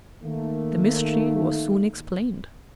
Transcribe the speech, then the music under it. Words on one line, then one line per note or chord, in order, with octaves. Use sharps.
The mystery was soon explained.
D#3 A3 A#3